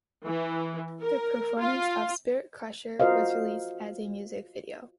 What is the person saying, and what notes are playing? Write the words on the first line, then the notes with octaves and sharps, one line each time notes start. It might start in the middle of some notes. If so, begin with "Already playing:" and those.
The performance of "Spirit Crusher" was released as a music video.
E3
A#4
F4
F4 F#4 A#4 C5 D#5 F5